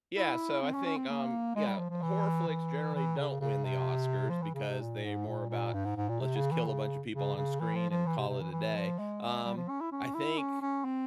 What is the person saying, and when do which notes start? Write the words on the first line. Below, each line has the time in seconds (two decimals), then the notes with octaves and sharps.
Yeah, so I think, um, yeah, horror flicks generally don't win the Oscars because they're more about, "Let's just kill a bunch of people on screen and call it a day." Um, I think
0.16 E4
0.62 C4
0.74 C#4
0.86 C#4
0.97 C4
1.09 A#3
1.56 G#3
1.68 G3
1.79 F3
1.90 F3
2.02 E3
2.49 E3
2.95 E3
3.18 C#3
3.41 C#3
3.65 C3
4.29 F3
4.42 E3
4.55 C#3
4.69 C3
4.81 A#2
5.04 G#2
5.28 A#2
5.50 A#2
5.74 G2
5.85 G#2
5.97 G#2
6.09 A#2
6.21 C3
6.36 C#3
6.52 E3
6.67 C#3
7.13 C#3
7.36 C#3
7.60 E3
7.75 F3
7.91 F3
8.07 E3
8.18 C3
8.29 C3
8.41 E3
8.52 E3
8.76 F3
8.99 G#3
9.45 G3
9.57 F3
9.69 C#4
9.81 E4
9.92 C#4
10.15 E4
10.38 C#4
10.61 C#4
10.85 C4